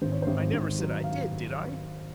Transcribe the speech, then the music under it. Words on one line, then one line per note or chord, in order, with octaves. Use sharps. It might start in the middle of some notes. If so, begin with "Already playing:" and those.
I never said I did, did I?
G#1 C5
C#5
G#1 C5
G#1
F#3
F5